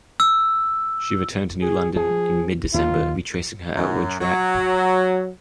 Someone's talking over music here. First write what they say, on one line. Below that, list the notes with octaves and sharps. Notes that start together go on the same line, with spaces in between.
She returned to New London in mid-December, retracing her outward track.
E6
G#4
F3 G#4
D#2 F4
F#2
F#3